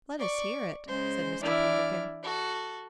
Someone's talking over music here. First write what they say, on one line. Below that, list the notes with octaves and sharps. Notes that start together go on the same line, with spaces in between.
"Let us hear it," said Mr. Peterkin.
D5 C#6
C#3 G#3 C5
E3 D4 E4 D5 F6
F#4 A4